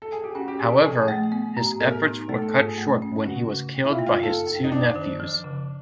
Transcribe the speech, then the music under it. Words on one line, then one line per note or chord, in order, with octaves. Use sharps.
However, his efforts were cut short when he was killed by his two nephews.
A4
G#4
G4
C#4 F#4
G4
A#2 G#4
A4
F3 G#4
A3
B3
A2
B3 A#4
D#4
A3 A4
A4
G#2 G#4
A3
C#4
C#3 F#4
C#3
A#3
E4
F4
A#3
F4
F#2 A4
F#2
D#4
F#2 D4
D#3
F3
C#3